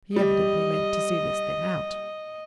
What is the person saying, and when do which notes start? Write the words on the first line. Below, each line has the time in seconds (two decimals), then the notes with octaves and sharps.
He evidently meant to see this thing out.
0.16 G3 D#5